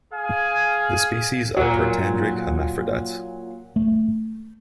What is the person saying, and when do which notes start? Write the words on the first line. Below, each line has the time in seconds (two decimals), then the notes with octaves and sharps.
The species are protandric hermaphrodites.
0.13 G#4 F5 G#5
1.57 A#2 F#3
3.76 A3